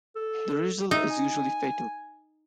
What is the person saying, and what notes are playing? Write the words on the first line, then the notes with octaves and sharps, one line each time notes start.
The result is usually fatal.
A4
D#4 E5
G#5